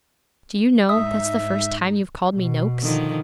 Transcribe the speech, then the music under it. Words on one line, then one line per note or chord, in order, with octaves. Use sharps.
'Do you know, that's the first time you've called me "Noakes"?'
G#2 D#4 E5 D#6
B2
D3 D#3 F3